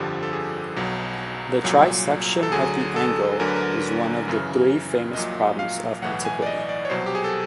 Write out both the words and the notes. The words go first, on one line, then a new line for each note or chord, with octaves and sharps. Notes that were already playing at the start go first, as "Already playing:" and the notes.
The trisection of the angle was one of the three famous problems of antiquity.
Already playing: G1 F2 D3 F3 G4
A4
G#4
B1 B2 F#3
C2 A#2 F#3
A4
D2 D3 F#3 G#4
A4
D2 D3 F#3 A#4
B4
A#4
F#2 C#3 E3
A#1 A#2 F#3 D#5
F5
B1 A2 E3 F#5
G#5
D5
D#5
D#5
D5
C#5
C2 B2 F#3 C5
G4
G#4
A4